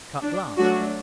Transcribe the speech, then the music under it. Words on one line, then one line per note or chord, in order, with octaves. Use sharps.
Cut glass.
D4
F#3 A3 D4 F#4